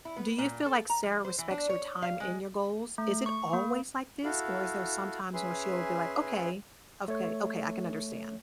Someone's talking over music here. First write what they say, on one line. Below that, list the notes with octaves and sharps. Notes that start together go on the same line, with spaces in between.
do you feel like Sarah respects your time and your goals? Is it always like this? Or, is there sometimes where she'll be like, "Okay, of kay, okay, I can understand?"
E4
B3
A#2
A4
A#5
F3
C5
E3
D4
C#5
F5
G#3
A3
C#6
A#3
E4 F#4 A4 F5
C#4 G#4 B4 E5 C6
A3 C#5